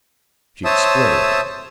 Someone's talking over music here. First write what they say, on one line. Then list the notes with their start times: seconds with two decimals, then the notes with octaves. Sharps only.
She explained.
0.65 C5 C#5 E5 A5 D#6 E6